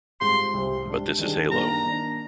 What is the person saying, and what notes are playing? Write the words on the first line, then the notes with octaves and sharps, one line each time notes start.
But this is Halo.
G#2 G3 C4 F4 G#4 C6
C2 C3 G3 C4 G4
G#2 G3 D4
D#3 G3 D4 G#4
G2 D#3 A#3 D4 A#5
D#3 A#3 D4